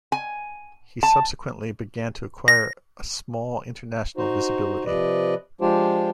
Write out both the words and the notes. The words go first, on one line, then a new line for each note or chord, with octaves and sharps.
He subsequently began to acquire a small international visibility.
G#5
A5
A#6
D#4 F#4 C5
C3 F3 B4 D5 D#5
F3 G#3 D4 F4 G4 C5